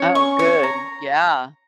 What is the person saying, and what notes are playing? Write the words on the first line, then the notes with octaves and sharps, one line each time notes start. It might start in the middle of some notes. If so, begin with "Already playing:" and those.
Oh, good. Yeah.
Already playing: C#4 C#5
C#6
C#5
A#5